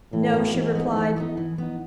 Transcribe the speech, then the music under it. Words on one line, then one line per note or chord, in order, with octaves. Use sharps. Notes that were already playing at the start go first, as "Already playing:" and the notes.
"No," she replied.
A2 E3
B3 F#4
G#2 E3
B3 D#4
E3
B3 D#4
E3
B3 D#4